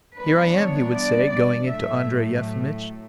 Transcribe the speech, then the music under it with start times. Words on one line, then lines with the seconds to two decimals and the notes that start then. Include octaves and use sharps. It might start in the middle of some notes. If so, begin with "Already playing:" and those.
"Here I am," he would say, going in to Andrey Yefimitch.
0.16 C3 E3 G3 B3 D4 B4
0.54 C#5
0.92 D5
1.29 D5
1.67 A2 F#3 A3 E5